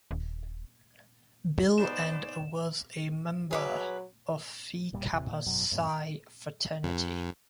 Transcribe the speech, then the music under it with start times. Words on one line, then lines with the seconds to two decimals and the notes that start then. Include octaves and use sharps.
Bill, and was a member of Phi Kappa Psi fraternity.
0.11 D#1
1.78 C#3 B3 C#4 D#4 C5 D5 E7
3.51 F#3 G#4 B4 D6
4.93 E1 A#2 G3
5.13 A1 E2 C3 E3
5.30 A#2
5.47 G#1 F#2 B2 F#3
5.71 F#2 A2 C3
6.83 F2